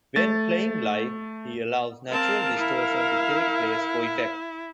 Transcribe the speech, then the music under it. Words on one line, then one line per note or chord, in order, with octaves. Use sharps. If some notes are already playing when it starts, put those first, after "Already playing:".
When playing live he allows natural distortion to take place for effect.
A3 A6
C4 A#4 F5 A5
E4